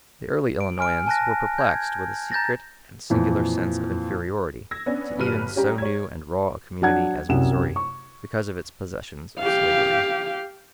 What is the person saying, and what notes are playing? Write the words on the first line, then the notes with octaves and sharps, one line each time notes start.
The early Illinoisans were perplexed with a secret and singular sense of inferiority to even so new and raw a community as Missouri, because of its possession of slavery.
D7
G#5 F6 D7
G#5 A5 F#6 A#6
G6 G#6
A#5 G6 A6 A#6
F2 A#2 E3
E6 G#6 A#6
B3 C#4 D4
G1 F#3 G3 B4 F6 D#7
G3 C#4 G4 A#5
C#5 G#6
F#3 D4 F#5 G#6
C2 F#2 F#5 E7
C#6
G4 F5